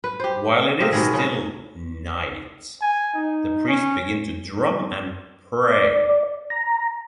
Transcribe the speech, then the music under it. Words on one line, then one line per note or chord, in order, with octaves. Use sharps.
While it is still knight, the priest begins to drum and pray.
B4
G4 C5
C3 G4 D#5 F5
B2 D#3 G#3
C#3 C#4
G#5
D#4
C#4
D5
A#5